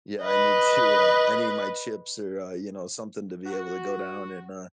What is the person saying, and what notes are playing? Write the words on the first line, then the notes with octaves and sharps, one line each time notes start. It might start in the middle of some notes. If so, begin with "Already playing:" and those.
Yeah, I need to, uh I need my chips or, uh, you know, something to be able to go down and, uh
B4 D#5
F#4